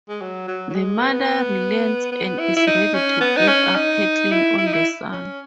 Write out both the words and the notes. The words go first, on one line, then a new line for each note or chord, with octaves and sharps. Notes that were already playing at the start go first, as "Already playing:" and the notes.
The mother relents and is ready to give up her claim on the son.
G#3
F#3
F#3
F#3
G#3
B3
B3
E4
E4
D#4
C#4
B3
D#4
C#4
D#4
E4
E4
D#4
E4
C#4